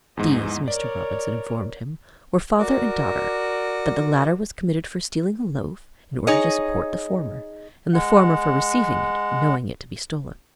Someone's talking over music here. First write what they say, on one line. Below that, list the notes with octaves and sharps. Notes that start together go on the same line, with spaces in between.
These, Mr. Robinson informed him, were father and daughter; that the latter was committed for stealing a loaf, in order to support the former, and the former for receiving it, knowing it to be stolen.
E2 G#2 D#5
A#4 C#5 D5
F#4 A#4 D5
D#4 G#4 C#5 D#5
G#3 F#5